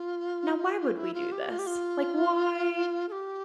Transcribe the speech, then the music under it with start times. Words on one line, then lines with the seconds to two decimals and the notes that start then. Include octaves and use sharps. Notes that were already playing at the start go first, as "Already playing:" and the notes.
"Now why would we do this? Like why?
Already playing: F4
0.97 E4
1.14 F4
1.32 G4
1.49 F4
1.59 G4
1.67 F4
3.09 A4
3.12 G4